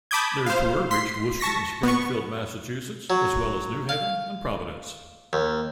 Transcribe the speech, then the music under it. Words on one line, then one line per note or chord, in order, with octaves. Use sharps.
Their tour reached Worcester and Springfield, Massachusetts, as well as New Haven and Providence.
A5 B5 D6 D#6 G6 G#6
C5 F5
C6 B6 C7
A5 C#6 A#6 B6
B3 C#6
F#3
F5
D#2